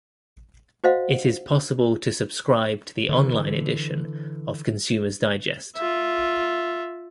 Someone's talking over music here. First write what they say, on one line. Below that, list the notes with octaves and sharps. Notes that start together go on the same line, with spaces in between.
It is possible to subscribe to the on-line edition of Consumers Digest.
F#4 C5 D#5 F5 F#5
D3 E3
F4 E5